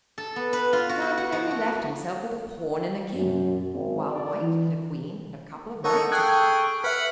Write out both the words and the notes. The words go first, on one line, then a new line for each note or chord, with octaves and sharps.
Black had only left himself with a Pawn and a King, while White had a Queen and a couple of Knights about.
A4
B3
B4
F4
F#4
F#5
F3
F#4
F#2
G#1
D5
E3
D#4 A4 A#4 C#5 F#5 A5 C#6
G#4 G5 D#6 F#6 G#6
B4 E5 F#5 B5 F6